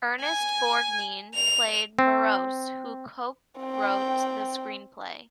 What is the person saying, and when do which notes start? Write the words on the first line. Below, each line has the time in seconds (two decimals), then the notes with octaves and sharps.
Ernest Borgnine played Morros, who co-wrote the screenplay.
0.21 G#5
1.34 F7
1.99 C4
3.60 C4 G5